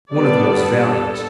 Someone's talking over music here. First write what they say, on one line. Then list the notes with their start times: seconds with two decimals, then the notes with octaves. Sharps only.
One of the most valiant.
0.12 D3 G3 B3 D4 D5
0.60 A4